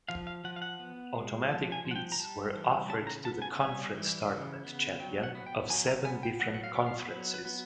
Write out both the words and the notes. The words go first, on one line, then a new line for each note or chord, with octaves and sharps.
Automatic bids were offered to the conference tournament champion of seven different conferences.
F3 F5
F5
F3 F#5
F5
F#5
B3
G#3
F3 A5
G#5
F3
F#5
G5
A#5
G3 A5
E3
C#3 A5
A#5
B3 A5
G#5
G3 G#5
E3
C#3
B3
F#3 G5
F#5
B3
G5
F#3 G#5
A#5
B3 G#5
G5
F#3 F#5
F#5
F5
B3
F5
F#3 B4
B4
B3